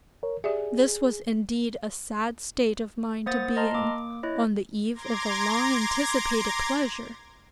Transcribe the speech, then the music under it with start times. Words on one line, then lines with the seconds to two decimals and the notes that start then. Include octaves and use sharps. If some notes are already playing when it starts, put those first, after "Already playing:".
This was indeed a sad state of mind to be in on the eve of a long-anticipated pleasure!
0.23 A#4 C#5
0.44 G4 G#4 D5 E5
3.26 A#3 C5 F#5 D#6 A6
3.56 D#5 A5 A#5 C6 F6
3.74 A#3 D6
4.23 E4 C#5 D#5
4.95 A#5 C6 D6 G#6 A#6